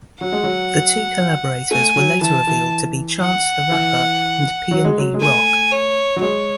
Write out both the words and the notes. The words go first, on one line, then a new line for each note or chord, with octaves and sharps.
The two collaborators were later revealed to be Chance the Rapper and PnB Rock.
F#3 F#5
G#3
F#3
A3 G#5
F#3
E3 A5
E3
F#5
E3
F#3
G#3
F#3
G#3
A3 G#5
C#5
F#3
G#3 C#5